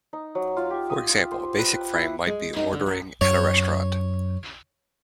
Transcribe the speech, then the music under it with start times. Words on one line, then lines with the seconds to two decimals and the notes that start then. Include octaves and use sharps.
For example, a basic frame might be ordering at a restaurant.
0.13 D#4
0.35 F#3
0.57 F4
0.70 G4
0.90 D#6
1.09 F4
1.32 C5
1.59 B4
1.73 G5
1.94 E4
2.27 G#3
2.56 D#4
2.73 D3
2.86 F#3
3.21 F#2 C#5